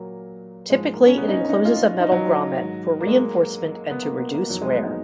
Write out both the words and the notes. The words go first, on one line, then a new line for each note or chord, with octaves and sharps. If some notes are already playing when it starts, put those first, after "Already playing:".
Typically it encloses a metal grommet for reinforcement and to reduce wear.
Already playing: A#2 F#3 A#3
G#2 F3 G#3
A#3
C#4
B3
D#4
C#4
D#4
F4
F4
D#4
F#3
G#2 D#3
A#3
G#3
B3
A#3
B3
A#3
F2 D#3 F#3
G#3
B3
D#4